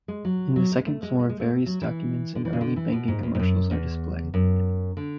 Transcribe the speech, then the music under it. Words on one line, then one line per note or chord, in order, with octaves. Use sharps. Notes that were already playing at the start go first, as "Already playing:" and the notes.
In the second floor various documents and early banking commercials are displayed.
G#3
F#3
F#3
G#3
A3
G#3
G#3
G#3
A3
F#3
E3
D3
E3
C#3
D3
E3
B2
G#2
E2
G#2
F#2
E2
F#2
D3